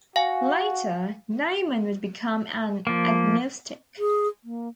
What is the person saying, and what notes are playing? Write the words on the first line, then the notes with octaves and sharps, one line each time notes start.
Later, Neyman would become an agnostic.
F#4 F5 G#5
F3 A#3
G#4
A#3